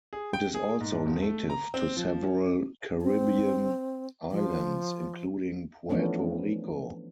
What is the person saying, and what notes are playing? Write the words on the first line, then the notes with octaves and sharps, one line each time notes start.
It is also native to several Caribbean islands, including Puerto Rico.
G#4
G5
G#4
G#2
E1
A3
A#5
C4
F3
C#4
C4
F3
E3 F3 A3 B3 C#4 D4